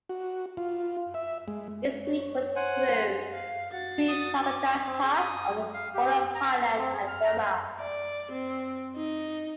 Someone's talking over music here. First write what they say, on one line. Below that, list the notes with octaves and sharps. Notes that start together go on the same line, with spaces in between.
Its route was through Three Pagodas Pass on the border of Thailand and Burma.
F#4
F4
E5
G#3
C#5
C5 F#5 G#5
F5
F#4 F#5 A6
D#6
D6
C4
G#4
D#6
F5
G4
A#5
A5
C4
G#4
F6
A#5
G#5
D5
C4
D#4